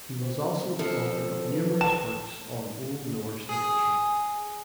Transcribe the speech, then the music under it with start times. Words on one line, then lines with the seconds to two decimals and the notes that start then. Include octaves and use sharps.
He was also the author of numerous works on Old Norse literature.
0.20 C4
0.79 F3 A4
1.50 B4
1.81 A5 E7
3.49 G#4